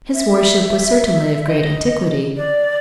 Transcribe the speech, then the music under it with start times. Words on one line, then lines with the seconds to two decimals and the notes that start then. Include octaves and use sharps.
His worship was certainly of great antiquity.
0.14 E5
1.47 D#5
2.37 D5